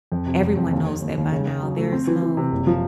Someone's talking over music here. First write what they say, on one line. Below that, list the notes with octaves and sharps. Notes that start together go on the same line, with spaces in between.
everyone knows that by now, there is no
F2
C3
F2
F2
D#2
D#2
D#2
D#2
C#3
C#3
F#3
A3
C4
E3
E3
C3
F#1
F3